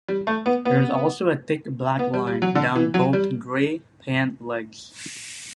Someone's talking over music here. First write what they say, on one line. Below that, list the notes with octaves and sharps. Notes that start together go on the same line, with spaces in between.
There is also a thick black line down both gray pant legs.
G3
A3
B3
B3
B3
G3
G3
F#3
D3
E3
F#3
G3